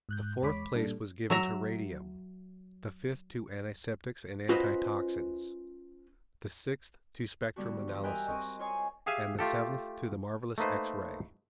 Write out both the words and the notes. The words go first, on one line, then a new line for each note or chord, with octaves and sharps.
The fourth place was given to Radium, the fifth to Antiseptics and Antitoxines, the sixth to Spectrum Analysis, and the seventh to the marvelous X-Ray.
G#2 F#6 G6
E2 G#3 C#5 B5 D6 B6
A#2 G3 A#3 D4 A4
F#3 E5 A#5
C#4 F4 F#4 B4 C5 D#5
D3 G3 B3 F#4
E3 F3
A#4 D#5 E5 G5 G#5 F#6
C4 D#5 C#6
F4 C5 C#5 D#5 G#5
G4 G#4 E5 F5 G#5
A3 F4 G4 A4
A3 A#3 D#4 B4 C5